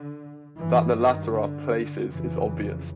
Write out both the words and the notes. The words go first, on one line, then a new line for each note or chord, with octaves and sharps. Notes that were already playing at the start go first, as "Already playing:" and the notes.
That the latter are 'places' is obvious.
Already playing: D3
G2 E3
D#3
D3
F2 C#3 E3